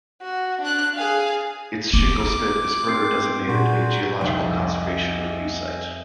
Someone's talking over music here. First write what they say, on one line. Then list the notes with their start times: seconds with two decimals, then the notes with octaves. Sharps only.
Its shingle spit is further designated a Geological Conservation Review site.
0.22 F#4
0.61 D4 F#6
0.95 G#4 F5
1.93 B3 D6
2.86 C4 A#4 G6 C7
3.47 A#2 F#4 G#4 C6 G6
4.21 C2 F2 D#4 D#5 E5 G5 G#5